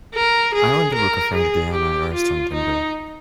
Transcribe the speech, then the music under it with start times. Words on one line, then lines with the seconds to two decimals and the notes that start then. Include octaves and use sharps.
I want to book a French Guiana restaurant indoor.
0.14 A#4
0.54 G#4
0.94 A#4
1.34 G#4
1.73 G4
2.13 F4
2.53 D#4